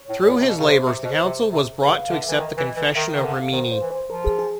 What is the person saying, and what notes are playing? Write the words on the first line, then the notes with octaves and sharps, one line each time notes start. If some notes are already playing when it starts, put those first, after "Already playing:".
Through his labours the Council was brought to accept the Confession of Rimini.
Already playing: C#5
A2
A#2
C3
B2
C#3
C3 C5
C3
B2
C3
C3
C#3 B4
F#5
F5
D3 E5
E5
E3
D#3 D#5
E3
E3
D#3 E5
D#3 E5
D3
F5
D#3 C5
C5
E3
C5
F3 A#4
G#4
G#4